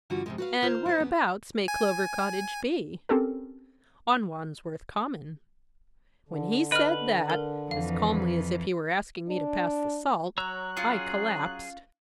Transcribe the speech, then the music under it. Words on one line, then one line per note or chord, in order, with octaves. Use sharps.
'And whereabouts may Clover Cottage be?' 'On Wandsworth Common.' When he said that, as calmly as if he were asking me to pass the salt, I collapsed.
G2 D3 E3 G3 F4 F#4
F2 C3 G#3
F#4 B4 F5
D#3 F4 C5
E4 C5
E2 B3
G#5
C4 C#4 G4 A4 A#4
D3
B4 D#5 F6
A#4
F2 E3 F5
D4
F#3 C#5 A#5 E6 F#6
C#4 F4 G#4